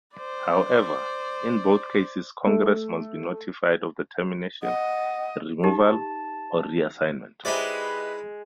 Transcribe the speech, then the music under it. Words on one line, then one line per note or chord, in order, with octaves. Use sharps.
However, in both cases Congress must be notified of the termination, removal, or reassignment.
C5 D5
A3
D#5 F#5
D#4 G4 A5
G#3 D#4 E4 G4 B4 C5 D5 E5